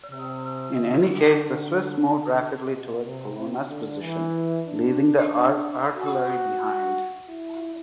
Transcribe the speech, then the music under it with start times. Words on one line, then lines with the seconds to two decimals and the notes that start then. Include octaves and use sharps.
In any case, the Swiss moved rapidly towards Colonna's position, leaving the artillery behind.
0.10 C3
0.75 D3
2.71 B2
3.04 C3
3.36 C3
3.69 D3
4.01 E3
4.66 D4
5.97 F#4
7.27 E4